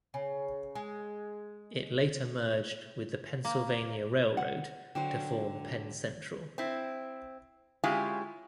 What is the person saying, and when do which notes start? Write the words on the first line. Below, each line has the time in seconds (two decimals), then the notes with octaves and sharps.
It later merged with the Pennsylvania Railroad to form Penn Central.
0.14 C#3
0.75 G#3
3.45 A#3
4.37 F#5
4.95 D3 F#3 C5 G5
6.58 C4 E4
7.84 D3 G#3 C#4 E4 F4 G4